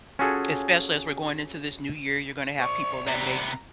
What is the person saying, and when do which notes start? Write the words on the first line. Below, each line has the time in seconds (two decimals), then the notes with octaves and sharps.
especially as we're going into this new year, you're gonna have people that make
0.19 C#4 F4 F#4 G#4 A4
2.60 C5 D5 C#6
3.07 C3 B3 A#5